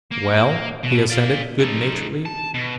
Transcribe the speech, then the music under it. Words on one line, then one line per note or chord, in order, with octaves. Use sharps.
"Well?" he assented, good-naturedly.
A#3
B2
D5 F5
D#4 A4
A5
B2